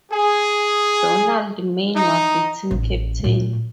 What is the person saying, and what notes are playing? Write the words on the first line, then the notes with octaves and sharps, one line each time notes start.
Donald Main was the team captain.
G#4
D#4
A1
A#2 A3